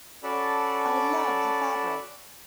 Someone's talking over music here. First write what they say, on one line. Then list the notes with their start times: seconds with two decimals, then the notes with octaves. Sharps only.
I love the fabric!
0.23 C#4 F#4 A4 D5 A5 B5